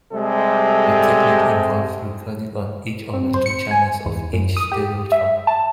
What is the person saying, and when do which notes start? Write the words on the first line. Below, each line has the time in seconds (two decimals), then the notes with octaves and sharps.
The technique involved recording on each of the two channels of each stereo track.
0.12 C3 G3 G#3 A4
3.13 C4
3.34 C5
3.46 C#7
3.71 G#5
4.06 E2
4.33 F#2
4.57 D#6
4.72 G4
5.12 E5
5.47 A5